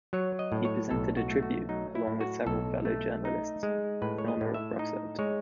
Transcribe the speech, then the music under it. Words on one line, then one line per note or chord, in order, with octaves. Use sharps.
He presented a tribute, along with several fellow journalists, in honor of Russert.
F#3 C#5
D#5
A2
C#5
B1 A4
F#4
A3
F#4
F#3 D#4
E4
A2
F#4
B1 A4
A3
D#4
G#3
A2 B4
C#5
D#5
A2
E5
D#4 D#5
G#3 C#5